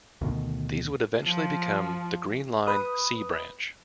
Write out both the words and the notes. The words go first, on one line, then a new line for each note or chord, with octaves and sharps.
These would eventually become the Green Line "C" Branch.
D2 B2 D#3
F3
B4 D#6